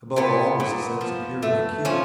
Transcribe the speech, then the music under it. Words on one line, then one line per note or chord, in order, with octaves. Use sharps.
Above all was the sense of hearing acute.
A#2 B3
A#2
F3
A3
F3 C#4